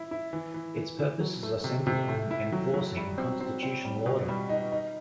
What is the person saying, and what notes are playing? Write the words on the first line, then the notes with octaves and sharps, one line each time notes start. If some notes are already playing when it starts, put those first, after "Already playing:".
Its purposes are centered on enforcing constitutional order.
Already playing: E4
E4
E3
E3
E3
E3
F#3
A3
C3
C3
A3
E4
F#3
F#3
G3
C4
C4
C4
G3
B2
G3
D#4
D#4